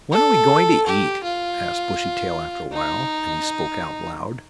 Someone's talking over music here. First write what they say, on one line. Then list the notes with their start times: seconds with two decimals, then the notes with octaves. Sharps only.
"When are we going to eat?" asked Bushytail, after a while, and he spoke out loud.
0.12 A4
0.87 G4
1.24 F4
2.72 D#4